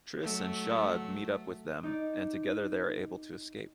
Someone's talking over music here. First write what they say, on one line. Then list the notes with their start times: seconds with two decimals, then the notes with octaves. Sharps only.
Triss and Shogg meet up with them, and together they are able to escape.
0.22 F#3 A3
1.83 D#4 D5